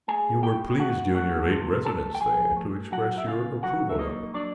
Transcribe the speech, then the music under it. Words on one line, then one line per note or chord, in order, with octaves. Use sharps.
You were pleased, during your late residence there, to express your approval of it.
A3 G#4 G#5
A2 G4 G5
A3 F#4 F#5
A3 F#4 F#5
C3
A3 A4 A5
G5
F3 G#4 G#5
A3
F#3 F#4 F#5
E5
C#3 F4 F5
F#3 F#4 F#5
E5
A#3 D#4 D#5
F#3 D4 D5